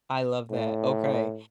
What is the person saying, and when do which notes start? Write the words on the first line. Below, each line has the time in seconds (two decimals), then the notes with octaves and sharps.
I love that, okay.
0.51 A2